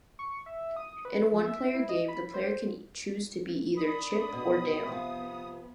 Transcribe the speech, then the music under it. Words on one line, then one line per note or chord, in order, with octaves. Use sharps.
In a one-player game, the player can choose to be either Chip or Dale.
C#6
E5
D#6
B4
F3
E5
E4
D#5
B5
C5
D4 D5 B5 D#6
B2
C3 F3 B3